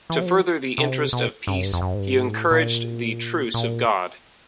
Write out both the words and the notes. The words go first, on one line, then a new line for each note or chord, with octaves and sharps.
To further the interest of peace, he encouraged the Truce of God.
E3
F#3
F3
C3
B2
G2
F#2
G2
F2
F#2
G#2
G2
G#2
A2
A#2
A#2